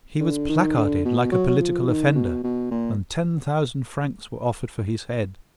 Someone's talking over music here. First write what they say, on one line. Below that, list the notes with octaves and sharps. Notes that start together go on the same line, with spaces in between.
He was placarded like a political offender, and ten thousand francs were offered for his head.
D3
D#3
D3
B2
F#3
F#3
F3
D#3
B2
B2
A#2